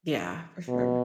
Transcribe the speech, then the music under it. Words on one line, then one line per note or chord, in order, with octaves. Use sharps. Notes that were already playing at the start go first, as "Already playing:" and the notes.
Yeah. For sure.
B2